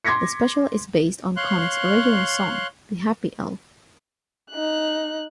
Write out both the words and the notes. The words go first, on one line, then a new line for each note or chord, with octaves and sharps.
The special is based on Connick's original song, "The Happy Elf".
C6 D6 G#6 A#6 B6 C#7
C#5 F5 C6 F#6
D#4 F#6